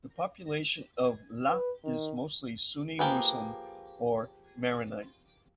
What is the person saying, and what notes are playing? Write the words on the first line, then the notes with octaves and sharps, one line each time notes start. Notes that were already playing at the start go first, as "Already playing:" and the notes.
The population of Ilat is mostly Sunni Muslim or Maronite.
B4
D#3
F3 A#3 G4 G#4 B4